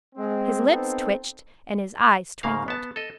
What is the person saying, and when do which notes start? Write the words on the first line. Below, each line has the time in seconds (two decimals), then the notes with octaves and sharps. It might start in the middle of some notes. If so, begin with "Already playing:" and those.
His lips twitched and his eyes twinkled.
0.15 G#3 C4
0.68 B3 C4 D#4 A4
2.43 G#2 C#3 A#3 F5
2.68 B3 A5
2.96 A4 D#5